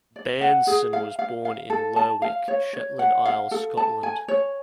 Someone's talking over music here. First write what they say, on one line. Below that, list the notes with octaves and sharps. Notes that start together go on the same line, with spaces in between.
Bairnson was born in Lerwick, Shetland Isles, Scotland.
D5
F#5
G#4
F5
F5
F5
A4
A5
F5
C#5
C#5
F#5
F5
A4
A5
G#5
C#5